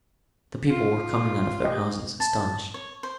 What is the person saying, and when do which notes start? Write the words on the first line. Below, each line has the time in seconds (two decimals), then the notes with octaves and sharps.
The people were coming out of their houses, astonished.
0.70 F4
1.63 G4 D#5
2.20 A5
2.74 C#5
3.03 C5